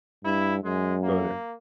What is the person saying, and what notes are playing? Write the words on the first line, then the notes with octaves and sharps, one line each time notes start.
Go there.
G2 E4
F#2 G#3
A#3